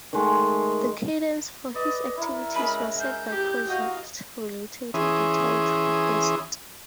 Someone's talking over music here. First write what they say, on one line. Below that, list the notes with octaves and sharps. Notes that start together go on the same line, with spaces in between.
The cadence for his activities was set by projects relating to detailed requests.
D#3 G#3 A3
B4 D5 D#5
E4 A#4 E5
G#3 C#4 A#4 B5
G6
G4
F#4 D#5 F5
E3 C#4 G#4 E5 C6 D#6